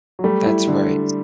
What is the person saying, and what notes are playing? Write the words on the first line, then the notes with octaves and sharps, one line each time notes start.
That's right.
F#3
G3 A3
E4
D3